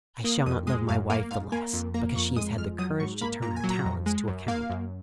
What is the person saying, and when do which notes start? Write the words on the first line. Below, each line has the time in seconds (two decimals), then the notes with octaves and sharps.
I shall not love my wife the less, because she has had the courage to turn her talents to account.
0.24 A#3 D#6
0.46 F2 D#6
0.67 G#3 D#6
0.89 F#2 F5
1.10 A#3 F5
1.31 G#2 F5
1.52 A#3 G#5
1.73 F2
1.94 A#3 A#5
2.16 F2 C#6
2.36 G#3 D#6
2.58 F2 F6
2.79 F#3 D#6
3.00 G#2 C#6
3.21 A#3 B5
3.42 A#2 A#5
3.56 G#5
3.64 F#3
3.70 A#5
3.85 F2
4.06 G#3
4.28 F#2
4.48 A#3 F5
4.70 F#2